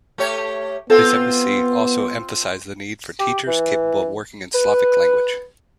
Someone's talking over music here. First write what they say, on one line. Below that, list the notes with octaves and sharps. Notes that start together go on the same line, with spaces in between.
His embassy also emphasized the need for "teachers" capable of working in Slavic language.
A3 G4 C#5
B3 C4 F4 A4
G4
E3
B4